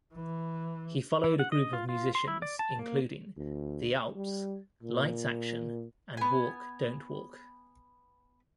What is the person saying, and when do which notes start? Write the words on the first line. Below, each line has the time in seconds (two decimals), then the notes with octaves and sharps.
He followed a group of musicians including; The Alps, Lights Action, and Walk.Dontwalk.
0.15 E3
1.24 E3
1.39 F#5
1.52 D#5
1.73 F4
1.89 F4
2.15 C6
2.28 E4
2.42 D5
2.59 A5
2.79 A#3
3.37 D2
4.16 G3
4.83 A#2
6.17 B3 G#5